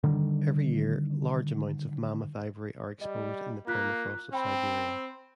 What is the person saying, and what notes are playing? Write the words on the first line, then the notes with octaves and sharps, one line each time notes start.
Every year, large amounts of mammoth ivory are exposed in the permafrost of Siberia.
D3 D#3 G3
G3 D#5
A#3 F4 F#6 B6
C4 G5 B5